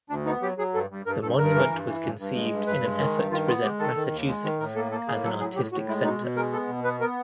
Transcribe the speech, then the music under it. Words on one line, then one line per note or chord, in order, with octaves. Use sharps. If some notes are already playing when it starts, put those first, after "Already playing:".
The monument was conceived in an effort to present Massachusetts as an artistic center.
D2 D4
B3 D#4
F#3 G4
F#3 G#4
G2 A4
G2
G2 A#4
G2 A4
G2 A#4
E3
G2
E3
G2
G2
G#3
G2
G2 B4
G#3
D#3
G2
D#3 F4
B3 F4
G#3 G4
D#3 A4
D#3
D#2
G#3
D#3
A2 A#4
A#3 A4
A#3 A4
A2 G#4
F#3 A4
A2 G#4
A2 G4
A2 F#4
G#3 E4
B2 D#4
B2
G#3 A#4
B3 A4
B2
B3 B4
B3 A#4